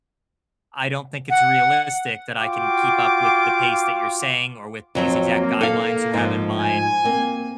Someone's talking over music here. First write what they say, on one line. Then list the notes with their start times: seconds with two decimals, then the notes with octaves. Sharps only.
I don't think it's realistic that I can keep up with the pace that you're saying or with these exact guidelines you have in mind."
1.30 F#5
2.39 F4 F#4 F5 G5 D6
4.95 F2 F#3 C4
5.28 A#3
5.61 A4 F5
6.13 G#2 F3
6.59 G#5
7.04 A#3 C4